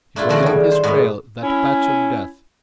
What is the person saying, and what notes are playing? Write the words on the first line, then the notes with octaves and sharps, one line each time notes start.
It was on his trail, that patch of death.
A3 D4 E4 F4
D#3 F3 A3 C#4 F#4 D5
G3 G#4
C5
A2 G#3 B3
C#4 E4